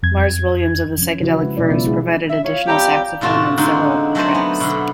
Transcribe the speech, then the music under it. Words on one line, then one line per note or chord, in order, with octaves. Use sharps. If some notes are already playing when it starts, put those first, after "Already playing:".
Mars Williams of the Psychedelic Furs provided additional saxophone on several tracks.
F2 G#6
F3 C#4
C#3 F3 E4 F#4 B4
G#3
B2 E3 F#3 E4 B4 D5
B3 F4
G#3 D4 E4 G#4
E5
F4 C#5
F3 G3 C4 G4 A#5
A2 C3 F4 F#4 A5
D3 G#3 C4 C#4 D#4
F#3 A3 A4 A#4 C5 D5
B3
B2 D3